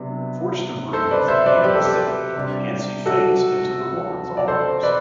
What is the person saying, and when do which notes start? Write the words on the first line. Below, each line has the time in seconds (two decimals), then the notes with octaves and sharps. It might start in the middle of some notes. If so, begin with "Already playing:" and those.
Forced to breathe the anesthetic, Nancy faints into the woman's arms.
Already playing: C3 F#3 B3 D4
0.93 A4 C5
1.11 B4 D5
1.28 C5 E5
1.42 E5
1.46 B4 D5
1.64 G4
1.75 A4
1.85 G4
2.36 C3 G3 D4
3.06 F#4 A4
4.37 D5
4.48 A4 C5
4.83 B4 D5